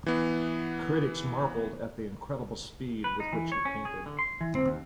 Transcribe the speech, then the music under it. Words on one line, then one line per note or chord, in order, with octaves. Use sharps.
Critics marvelled at the incredible speed with which he painted.
E3 B3
B4
D#4
E3
C#5
C#4
G#4
D3
C6
E3
C4
D#2